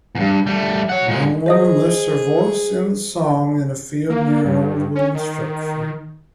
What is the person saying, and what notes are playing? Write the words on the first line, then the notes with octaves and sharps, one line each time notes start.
A young woman lifts her voice in song in a field near an old wooden structure.
E2 G2
G3 A3
C#5 F#5
A#2 G#3
G#4 C5 D#5 D#6
A#3
G2
C#4
D#3